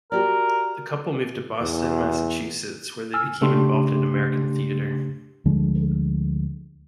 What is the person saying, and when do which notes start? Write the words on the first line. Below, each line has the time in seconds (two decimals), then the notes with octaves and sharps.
The couple moved to Boston, Massachusetts, where they became involved in American theatre.
0.12 F#4 G4 A#4 D5
1.61 E2
3.14 G#5 E6 F6
3.41 C#3 A3 D4 G4 C6
5.45 D2 D3 F3 G#3